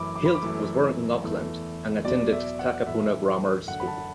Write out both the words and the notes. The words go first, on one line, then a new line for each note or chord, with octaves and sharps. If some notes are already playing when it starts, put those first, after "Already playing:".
Hilt was born in Auckland, and attended Takapuna Grammar School.
Already playing: F#2 E3 A3 B5 D6
D6
B5
D6
F#2 E3 A3
E2 E3 A3
E2 B2 F#3 D5
E5
F#5
A2 E3 A3 E5
F#2 D3 A3 F#5
B5
A5